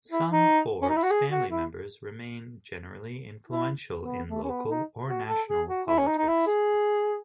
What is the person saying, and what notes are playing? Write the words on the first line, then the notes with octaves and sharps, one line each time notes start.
Some Forbes family members remain generally influential in local or national politics.
E4
D#4
C#4
D#4
E4
F#4
G#4
F#4
E4
E4
B3
A3
C#4
B3
D#4
F#4
A4
G#4
F#4
E4
C#4
D#4
D#4
E4
G#4